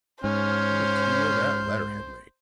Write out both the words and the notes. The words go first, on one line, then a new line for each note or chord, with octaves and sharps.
What a tour that letter had made!
G#2 C#4 C5 F6